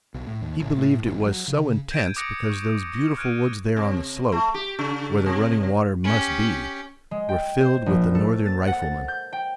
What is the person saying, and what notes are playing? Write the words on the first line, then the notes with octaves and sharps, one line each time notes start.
He believed it was so intense because those beautiful woods there on the slope, where the running water must be, were filled with the Northern riflemen.
B1
A2
D#2
A1
A2
G#1
F#3
C#3
G6 G#6 D7 D#7
D6 D#6 F#6 A#6 C#7 D7
C#6
A#6 C#7
F6 F#6 G#6 D7 D#7
C3
A3
G4
C#3
C3
C#4 G4
G#3
G5
C5
A#1
A4
A6
F#5
A6
G6
G5